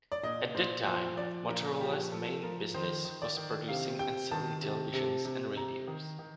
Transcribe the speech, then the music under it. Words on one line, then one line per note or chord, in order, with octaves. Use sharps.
At that time Motorola's main business was producing and selling televisions and radios.
D5
A#2 D#5
A#2 C5
F3 C5
F3 D5
A#2 A#4
F3 G4
F3 A4
F3 A#4
D#3 C5
D#3
D5
D#3
C3 F5
C3 G5
D#3 A5
C3
C3
C3
C3 A#5
D#3
D#3